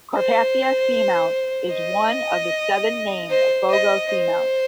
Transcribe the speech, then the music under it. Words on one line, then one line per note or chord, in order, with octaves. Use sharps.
Carpathia Seamount is one of the seven named Fogo Seamounts.
C5
D#5
C5
D#5
C5